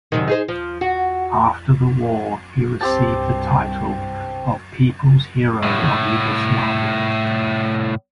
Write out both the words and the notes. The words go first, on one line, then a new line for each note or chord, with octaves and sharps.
After the war he received the title of People's Hero of Yugoslavia.
F#2 C3 D#3
D#4 G#4 C5
F3
F#4
C2 G2 C4 G4 A5
C2 A2